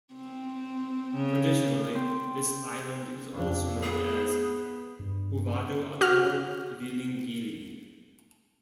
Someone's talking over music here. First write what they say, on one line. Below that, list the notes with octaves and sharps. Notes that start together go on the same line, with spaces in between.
Traditionally this island is also known as 'Huvadu Atoll Vilingili'.
C4
C#3
C4
F2 D4
B3 G#4
G2
F#4 F6